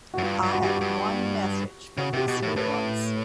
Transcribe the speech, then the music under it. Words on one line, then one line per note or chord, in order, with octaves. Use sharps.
I have one message for these hoodlums.
F#2 F#4
G2 F4
G2
F#4
G2 G4
F#4
G2
C#3 F#4
C3 G4
B2
G4
A2 A#4
A2 B4